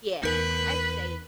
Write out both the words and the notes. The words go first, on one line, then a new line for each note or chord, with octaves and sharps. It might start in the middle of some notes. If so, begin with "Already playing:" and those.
yeah, I I'd say
E2 D#4 A#4 B4